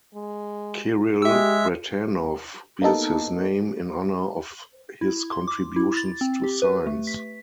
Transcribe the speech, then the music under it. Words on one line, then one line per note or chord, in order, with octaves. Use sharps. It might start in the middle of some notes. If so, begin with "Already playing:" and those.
Kiril Bratanov bears his name in honor of his contributions to science.
G#3
G#3 G4 E5 E6
A#3 B3 D#4 A4
E4
C6
D6
E4
A6
C4
G4
B4
A3
B6